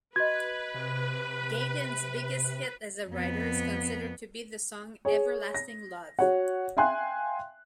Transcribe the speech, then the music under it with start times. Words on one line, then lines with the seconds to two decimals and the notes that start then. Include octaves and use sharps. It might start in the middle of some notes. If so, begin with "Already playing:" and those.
Gayden's biggest hit as a writer is considered to be the song "Everlasting Love".
0.16 F#4 B4 D#5 G#6
0.75 C3
3.09 F2 B3
5.05 G#4 C#5
5.54 A#6
6.19 F#4 C#5 F#5
6.77 E5 F5 G5 G#5 C6 F#6